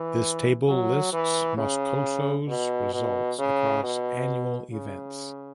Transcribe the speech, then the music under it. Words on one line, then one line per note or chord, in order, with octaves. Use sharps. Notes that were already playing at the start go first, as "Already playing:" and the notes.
This table lists Moscoso’s results across annual events.
Already playing: E3
F#3
E3
C#3
B2
B2
C#3
B2
C#3